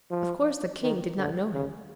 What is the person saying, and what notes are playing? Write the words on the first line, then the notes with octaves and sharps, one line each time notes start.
Of course the king did not know him.
F3
D#3
D3
C#3